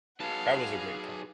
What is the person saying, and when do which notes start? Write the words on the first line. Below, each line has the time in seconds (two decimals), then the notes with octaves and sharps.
that was a great point.
0.20 D#4 F#4 G#4 B4 F5 F#5 A5